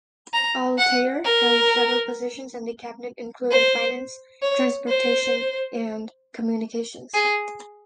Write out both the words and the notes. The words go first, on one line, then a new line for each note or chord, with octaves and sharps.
Al Tayer held several positions in the cabinet including finance, transportation and communications.
A#5
F#5
A#4
C5
C#5
C5
G#4